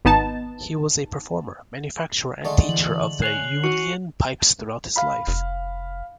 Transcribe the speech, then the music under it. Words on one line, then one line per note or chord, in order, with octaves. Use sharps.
He was a performer, manufacturer and teacher of the uilleann pipes throughout his life.
G#1 B3 D#4 A5
D3 G#3 A3
E3 F#7
C#5 G#5 F#6 C7 F7 F#7
F#4 C#6 C#7
F5 B5
F1